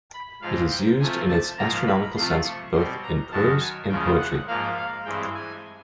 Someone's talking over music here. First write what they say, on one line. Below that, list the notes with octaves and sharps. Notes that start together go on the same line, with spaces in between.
It is used in its astronomical sense both in prose and poetry.
B5
G#2 F3 G#3 C4 F5
G5
C3 F3 A3 C4 G#5
A5
G#2 F3 A#3 A#5
B5
C3 F3 A3 C6
C#6
B2 G3 C4 C6
A#5
F#2 D#3 F#3 A5
G#5
E2 C#3 F3 G#3 G5
F#5
G#2 F3 A#3 F5
F5
G2 E3 G#3 C4 G5
G#5